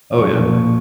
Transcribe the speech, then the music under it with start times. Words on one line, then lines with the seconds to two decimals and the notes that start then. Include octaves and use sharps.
Oh, yeah.
0.18 F3 C#6
0.35 A#2
0.54 A#2